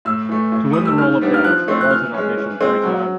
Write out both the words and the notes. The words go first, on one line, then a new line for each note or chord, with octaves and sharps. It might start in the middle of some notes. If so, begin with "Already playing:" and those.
To win the role of Dash, Walton auditioned three times.
A2 E6
E3 A3
A2
E3 G3 D#6
E6
D#3 F6
G3 B3 D4
F6
F3 F#6
A3 C4
F#6
E3 F6
G#3 C#4
E3
G#3 C4
F#3